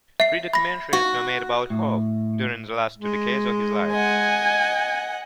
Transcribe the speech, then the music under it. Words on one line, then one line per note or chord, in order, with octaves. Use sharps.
Three documentaries were made about Howe during the last two decades of his life.
E5 C7
B5 A#6
F#4
A2
G#3
D#5 F#5 G#5